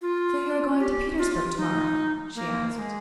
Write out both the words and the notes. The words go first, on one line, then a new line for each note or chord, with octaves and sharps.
"So you are going to Petersburg tomorrow?" she asked.
F4
G4
F4
D#4
A#3
A#3
G#3